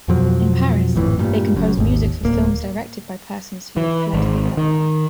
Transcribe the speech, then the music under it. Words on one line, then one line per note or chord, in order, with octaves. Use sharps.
In Paris, they composed music for films directed by persons who had fled Hitler.
F2 B2 F3 F#3
G#1 F2 A2 E3
G2 A#2 G3
F#1 F#2
G#1 D#2
D1 A#3
E3
G#1
D#3